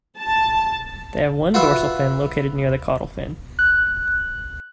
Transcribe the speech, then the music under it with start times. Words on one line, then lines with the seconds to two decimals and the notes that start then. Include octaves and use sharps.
They have one dorsal fin located near the caudal fin.
0.18 A5
1.54 F4 F#4 B4 E5
3.59 F#6